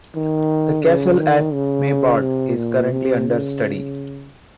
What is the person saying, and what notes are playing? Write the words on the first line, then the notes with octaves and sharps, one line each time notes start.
The castle at Meybod is currently under study.
D#3
C#3
D#3
C#3
C3
A#2
C3
C#3